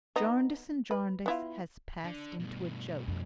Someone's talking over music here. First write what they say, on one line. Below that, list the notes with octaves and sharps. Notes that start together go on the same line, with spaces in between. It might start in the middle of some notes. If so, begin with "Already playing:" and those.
Jarndyce and Jarndyce has passed into a joke.
B3 D#4
B4
B3 E4 F4
D3
G2 B2
F2 D4